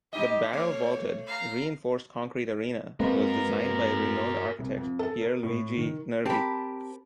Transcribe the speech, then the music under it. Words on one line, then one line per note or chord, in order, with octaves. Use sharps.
The barrel-vaulted, reinforced concrete arena was designed by renowned architect Pier Luigi Nervi.
D#4 G4 D#5
A3 C#5
F5 A#5
G#3 A#3 C4 F#4 A#4 B4
C2
F2
A4
A#4
A2
D#3
C4 G4 A#4 A5 B5